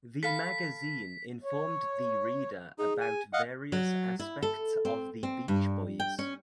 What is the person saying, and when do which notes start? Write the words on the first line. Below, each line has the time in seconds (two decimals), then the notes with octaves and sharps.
The magazine informed the reader about various aspects of the Beach Boys.
0.23 A4 F5 B5 B6
1.44 C#5
2.79 D#4 G#4
3.01 G#5
3.33 D#5 F5 F#5
3.72 F#3
4.19 E4
4.42 A4
4.85 C4
5.23 C4
5.48 G2
6.00 G5
6.19 C#4